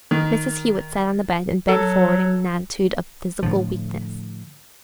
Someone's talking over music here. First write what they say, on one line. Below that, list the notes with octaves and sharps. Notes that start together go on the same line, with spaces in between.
Mrs. Hewett sat on the bed, and bent forward in an attitude of physical weakness.
D#3
F#3 A4
A2 D3 F3